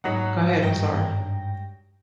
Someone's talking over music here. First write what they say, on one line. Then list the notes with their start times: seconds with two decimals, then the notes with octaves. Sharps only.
go ahead, I'm sorry.
0.04 D#2 G#2 F#3 D#4 F#5
0.61 G2 G5 A#6